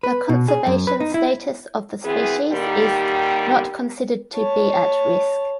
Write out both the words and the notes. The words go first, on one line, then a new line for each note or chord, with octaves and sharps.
The conservation status of the species is "not considered to be at risk".
B4
B2
G#4
F#2
B4
D#4
E4
F#2 E3 B3 C4 G#4
D3 D#3 G3 A#3 G4
C#5 A5